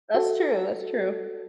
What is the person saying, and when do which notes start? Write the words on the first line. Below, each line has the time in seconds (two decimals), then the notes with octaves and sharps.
That's true, that's true.
0.14 F#4 A4